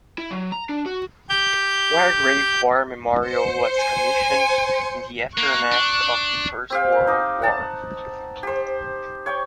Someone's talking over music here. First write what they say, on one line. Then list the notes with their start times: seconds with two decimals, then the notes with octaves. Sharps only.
Wargrave War Memorial was commissioned in the aftermath of the First World War.
0.18 E4
0.31 F#3
0.52 A#5
0.69 D4
0.86 F#4
1.29 G4 G6
3.20 C5 C6 C#7
3.77 G#5
5.37 A#3 C#6 F#6
5.72 D4
6.70 C4 G4 F5
7.07 D#4 D6
7.42 F#5 A5
8.43 G4 C5
9.26 C#5 G5 C#6